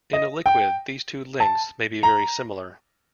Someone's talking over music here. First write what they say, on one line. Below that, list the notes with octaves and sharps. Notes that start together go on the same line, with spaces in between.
In a liquid these two lengths may be very similar.
D#5
G5
A5
A#5